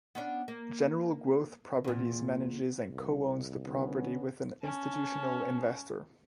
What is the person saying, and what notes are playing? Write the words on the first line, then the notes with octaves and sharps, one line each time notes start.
General Growth Properties manages and co-owns the property with an institutional investor.
B3 C#4 D4
A#3
E2 A#2
C2
D3 B3 C#4
C#4 A5